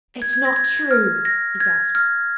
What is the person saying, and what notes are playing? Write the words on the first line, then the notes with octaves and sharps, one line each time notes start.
"It's not true!" he gasped.
G#6
G#6
A#6
G#6
F6
A#6
G#6
F6